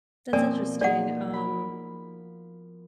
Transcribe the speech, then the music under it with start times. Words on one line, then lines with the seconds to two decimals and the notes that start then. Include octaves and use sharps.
That's interesting, um,
0.33 B2 F3 A#3 C4 A#4 D5 G#5
0.81 D#4 G#4 D5 F#5
1.33 A#4 B5